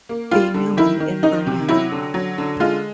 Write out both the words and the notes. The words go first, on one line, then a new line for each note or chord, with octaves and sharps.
B. Neumann in Berlin.
A#3
G3 F4
D3
D#3 E4
D#3
D#3 D#4
C3
F#3 E4
D3
F#3
D3
G#3 F4